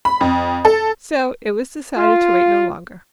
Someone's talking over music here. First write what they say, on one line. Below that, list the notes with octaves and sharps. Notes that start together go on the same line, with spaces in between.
So it was decided to wait no longer.
B5
F2
A4
F4